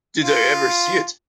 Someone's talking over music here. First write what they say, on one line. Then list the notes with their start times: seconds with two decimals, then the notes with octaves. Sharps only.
Did I ever see it?
0.23 F4